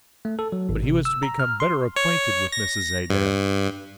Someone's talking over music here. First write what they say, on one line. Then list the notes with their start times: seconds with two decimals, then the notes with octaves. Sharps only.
But he was to become better acquainted with Mrs. Adair.
0.25 A3
0.39 A4
0.52 F#3
0.69 G#1
0.83 C3
1.05 E6
1.23 A#5
1.40 F6
1.60 C6
1.96 C#5
2.52 A#6
3.10 G2